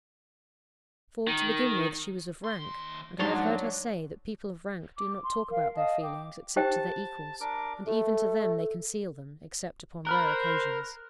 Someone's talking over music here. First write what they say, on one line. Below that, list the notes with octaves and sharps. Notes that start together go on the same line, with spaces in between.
For, to begin with, she was of rank: and I have heard her say that people of rank do not talk about their feelings except to their equals, and even to them they conceal them, except upon rare occasions.
D#3
D#2 C6
G#2 F3 F#3 D4 F5 C6
D6
C6
A#4 F5
D#5 F5 A5 D#6
G5 D6
G4 C5 G5 A5
D4 A#4 D6
A3 A4
A#4 C5 B5 F6 F#6